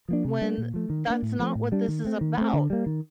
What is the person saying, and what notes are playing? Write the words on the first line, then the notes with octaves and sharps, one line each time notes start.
when that's not what this is about?"
F3 A#3 D4
C3
G3 A#3 D4
A#2
F3 A3
D#3
A#3 D4
A2
F3 A3 C4
A2
G3 D4
D#3
A3 C4
D#3
A3 C4
D3
G3 A#3
D#3